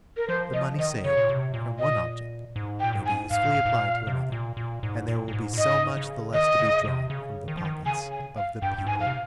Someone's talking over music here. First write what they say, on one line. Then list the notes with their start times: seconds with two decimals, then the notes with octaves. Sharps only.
The money saved from one object may be usefully applied to another, and there will be so much the less to be drawn from the pockets of the people.
0.17 A#4
0.28 F3 C5
0.53 F3 D#5
0.79 D#3 D#5
1.04 C#3 C#5
1.17 A#2
1.30 C3
1.54 A#2
1.79 D#5
2.56 G#2
2.80 G5
2.84 A#2
2.93 G#2
3.06 G#5
3.31 G#2 F5
3.43 A#2
3.55 G#2
3.65 G#2
3.69 A#2
4.07 C3
4.32 A#2
4.57 A#2
4.83 G#2
5.08 A#2
5.28 A#2
5.33 G#2
5.53 A#2
5.58 G#2 D#5
5.97 C#3
6.34 D#3 D#5
6.59 C#3
6.85 C3
7.10 C#3
7.48 D#3
7.57 F3
7.65 D#3
7.86 C#3 G#5
8.12 G#5
8.37 F5
8.62 G2 G5
8.78 G2
8.86 G#2 G#5
9.01 F5
9.07 C3